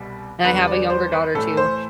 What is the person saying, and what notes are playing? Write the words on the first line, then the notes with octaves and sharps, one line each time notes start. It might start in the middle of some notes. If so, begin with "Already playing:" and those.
and I have a younger daughter too.
Already playing: C2 B2 G3
E2 D3 G3 B4
D5
C5
B4
A2 E3 A3 A4
C5